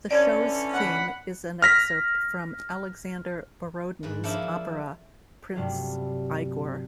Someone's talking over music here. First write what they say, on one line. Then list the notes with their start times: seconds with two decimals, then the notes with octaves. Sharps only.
The show's theme is an excerpt from Alexander Borodin's opera "Prince Igor".
0.11 D3 E3 C#4 D5 G#6
0.74 F#5 B5
1.62 F6 A#6 B6
4.03 G#2 B4
4.24 F3 A#3 D4 E4
5.55 G2 C3 F#3 G3 A3 F4